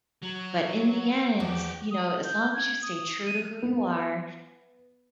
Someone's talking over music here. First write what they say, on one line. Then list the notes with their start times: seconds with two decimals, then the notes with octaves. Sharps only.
but in the end, you know, as long as you stay true to who you are
0.22 F#3
1.40 E2 F3 F#4 G4
1.91 D#6
2.24 G6
2.54 G#6
2.82 D#6
3.26 D#7
3.62 B3